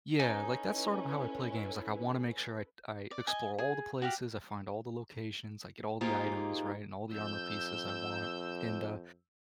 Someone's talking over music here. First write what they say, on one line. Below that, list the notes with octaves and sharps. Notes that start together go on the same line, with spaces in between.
yeah, like, that's sort of how I play games, like, I wanna make sure I I explore all the places, I find all the locations, I get all the items, right, and all the armor pieces I want, and, uh,
C#4 D#4 E4 A4 B4 G#5
D5
D#5 G#5
G#4
F#4 G4 F5
G#2 A#3 D#4 F4 G4 G#4
F2 E6 G6